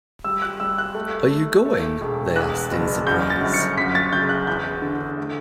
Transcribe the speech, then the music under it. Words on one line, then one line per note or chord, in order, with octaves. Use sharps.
Are you going? they asked, in surprise.
G3 E6
F#6
G3 E6
F#6
A3
A3
A3
E1
E2 F#6
F#1
F#2 G6
A6
G1
C#7
F#2 B6
A6
C#3 G6
F#6
E2 G6
D3
A3